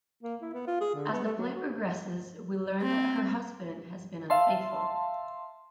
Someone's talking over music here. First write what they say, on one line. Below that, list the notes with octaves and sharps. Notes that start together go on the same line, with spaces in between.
As the play progresses, we learn that her husband has been unfaithful.
A#3
E4
B3
F4
G#4
D3
B3
A3
F#3
F#4
C4
E5 F5 A5 C6